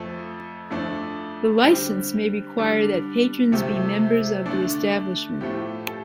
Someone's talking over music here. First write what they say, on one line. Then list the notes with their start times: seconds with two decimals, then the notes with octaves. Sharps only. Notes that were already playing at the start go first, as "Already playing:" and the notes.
The license may require that patrons be members of the establishment.
Already playing: F2 F3 A3 A4
0.70 F2 F3 A3 D4
1.64 D3 G3 C4 G4
2.58 D3 G3 D4
3.52 C3 F3 A3 G4
4.46 D3 A3 D4
5.41 A2 F3 A3 G4
5.87 A4